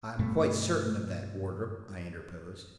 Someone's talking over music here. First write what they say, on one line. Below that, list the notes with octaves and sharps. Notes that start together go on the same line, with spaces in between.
"I am quite certain of that, Wardrop," I interposed.
G2 B2 A3